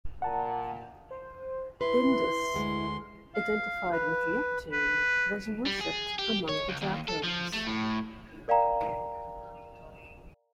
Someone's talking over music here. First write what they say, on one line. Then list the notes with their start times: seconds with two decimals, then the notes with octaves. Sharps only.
"Bindus", identified with Neptune, was worshipped among the Japodes.
0.22 A#2 F#5 A5 A#5
1.11 C5
1.81 E4 B4 C6
2.54 D2 G#3
3.34 F5
3.91 B4
4.72 B4
5.66 G3
5.81 G#4
6.19 G4
6.49 C#5
6.69 C#2
6.82 D#2
7.09 A4
7.24 F3
7.53 A3
7.67 A2
8.48 A#4 D5 F5 G5 A#5